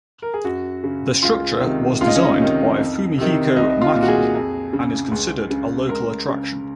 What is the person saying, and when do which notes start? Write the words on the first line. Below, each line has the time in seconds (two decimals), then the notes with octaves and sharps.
The structure was designed by Fumihiko Maki and is considered a local attraction.
0.22 A#4
0.34 G#4
0.44 F#2 F#4
0.84 C#3
1.23 C#2 F4
1.61 C3 D#3
2.01 C#2 F4
2.07 D#4
2.15 C#4
2.23 D#4
2.40 C3 D#3
2.79 F2
3.18 C3 D#3
3.56 C2 D#4
3.81 F4
3.96 A#2
4.03 F#4
4.08 G#4
4.34 F2
4.73 C#3
5.11 C#2
5.50 C#3
5.89 C#2 A#4
6.29 C#3